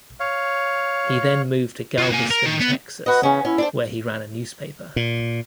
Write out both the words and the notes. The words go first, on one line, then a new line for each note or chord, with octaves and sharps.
He then moved to Galveston, Texas where he ran a newspaper.
C#5 F5
F4 C#5
A#3 G#5
A#4
D#3
B3
F#4 B4 D#5
C#3 E3 C#4
C#4 E4
D4 A4 C5
A#2